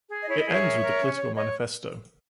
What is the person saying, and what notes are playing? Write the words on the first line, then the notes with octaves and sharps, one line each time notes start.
It ends with a political manifesto.
G#4
D#5
E4 C#5
D#5
G#4
C#5 E5
A#4
A#4
C#4
C#5
C#5 D#5